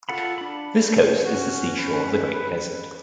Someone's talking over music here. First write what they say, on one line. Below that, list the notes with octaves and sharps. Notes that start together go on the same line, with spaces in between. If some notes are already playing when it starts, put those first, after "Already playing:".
This coast is the seashore of the Great Desert.
F4 A4 F#5 B5
D4 B5
C#4 F#4
B4